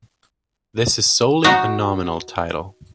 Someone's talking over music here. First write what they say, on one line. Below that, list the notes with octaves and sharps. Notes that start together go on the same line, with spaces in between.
This is solely a nominal title.
D#4 F#4